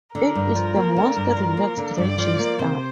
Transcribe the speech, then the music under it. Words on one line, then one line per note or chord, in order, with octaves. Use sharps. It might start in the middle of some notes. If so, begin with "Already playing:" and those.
It is the most relaxed register.
D3 A#4
G2
F3
A#3
D3
G2
F3
A#3
D3
G2 D5
F3
A#3
C3 C5